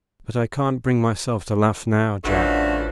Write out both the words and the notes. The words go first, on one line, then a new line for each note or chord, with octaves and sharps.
But I can't bring myself to laugh now, Jack.
A1 D3 E3 F3 A3 C#4 D4 F#4